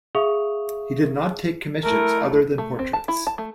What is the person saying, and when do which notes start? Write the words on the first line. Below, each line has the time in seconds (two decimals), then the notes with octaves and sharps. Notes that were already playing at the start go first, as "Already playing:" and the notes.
He did not take commissions other than portraits.
0.15 G#4 E5 F5 C#6 D#6 F7
1.84 A3 E4 A#4
2.58 A3
2.79 C4
2.93 A5
3.08 E4
3.27 A5
3.38 A3